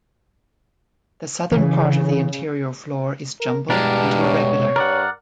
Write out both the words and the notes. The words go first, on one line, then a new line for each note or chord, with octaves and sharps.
The southern part of the interior floor is jumbled and irregular.
C#3 E3
A#4
G2 B2 G#3 D4 G4 A#4
C#5
G2 A#4 D5 F#5